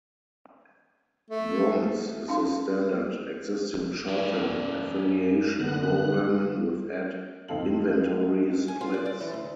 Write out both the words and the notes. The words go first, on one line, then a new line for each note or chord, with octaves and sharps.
Bronze is the standard existing short term affiliation, programming with ad inventory splits.
A3
C#4 D#4 F5 C6
F#2 C#4 D5
D3 B3 F#6
F2 C4 D#4 A4 F5 F#7
G#5
F4
D5
D5
E3
D2